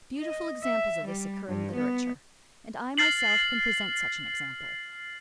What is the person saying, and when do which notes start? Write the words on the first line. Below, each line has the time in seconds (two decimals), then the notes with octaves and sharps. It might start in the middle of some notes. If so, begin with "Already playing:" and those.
Beautiful examples of this occur in literature, and I myself can present such an example.
0.20 D#5
0.63 E5
1.05 G3
1.48 G2
1.76 B3
2.98 F6 A6 C7 F#7